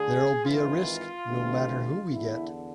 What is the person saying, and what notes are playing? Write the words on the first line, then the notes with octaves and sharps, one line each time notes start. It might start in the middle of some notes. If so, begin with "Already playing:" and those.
There’ll be a risk, no matter who we get.
Already playing: D2 D3 G#4
G#1 G#2 E3 F4
D2 C3 E3
E2 D3 E4